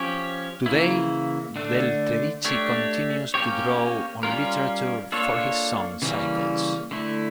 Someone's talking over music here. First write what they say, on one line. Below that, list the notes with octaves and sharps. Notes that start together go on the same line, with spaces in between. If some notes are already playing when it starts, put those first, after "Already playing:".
Today, Del Tredici continues to draw on literature for his song cycles.
Already playing: F3 C#4 G4 C#5
C#3 E3 A#3 E4
D3 A3 D4
A3 D4 G4 C#5
A#3 C#4 G4 C#5
G3 C#4 F4 A#4
A#3 D4 F4 A4 C#5
C#3 E3 G3 A#3 C#4
D3 A3 E4